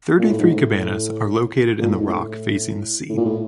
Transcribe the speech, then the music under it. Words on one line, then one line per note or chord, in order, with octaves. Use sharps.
Thirty-three cabanas are located in the rock facing the sea.
A#2
A2
G#2
A2
A#2
A2
G#2
A2
A2
A#2
A2